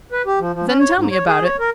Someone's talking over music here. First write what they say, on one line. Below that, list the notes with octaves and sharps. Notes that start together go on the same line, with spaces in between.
"Then tell me about it."
B4
G4
F3
F3
C#4
C#5
G#2
C#5
G#4
C#5
A#4